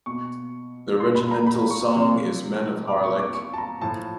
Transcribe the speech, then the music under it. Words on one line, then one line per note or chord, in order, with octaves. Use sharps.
The regimental song is "Men of Harlech".
B2 C#6
C6
B5
A#5
B5
C#6
C3 F3
D6
C#6
D6
C#6
A5
A#5
A2 F3 A5